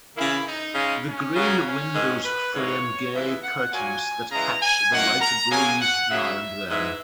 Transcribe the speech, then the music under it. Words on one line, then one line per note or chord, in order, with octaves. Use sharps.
The green windows frame gay curtains that catch the light breeze now and then.
C#3 E3 A#3 E4
D#4
C#3 G#3
C#4
C#3 F#3 A#3
C#4
G#2 D#3 G#3
B4
G#2 E3 A#3 C#5
C#3 E3 G#3 E5
F#5
A#2 F#3 A#3 G#5
C#3 E3 G#3 A#5
G#5
F#2 D#3 A#3 F#5
A#5
C#3 F#3 A#3 G#5
F#5
C#3 F#3 A#3 E5
G#2 E3 G#3 E5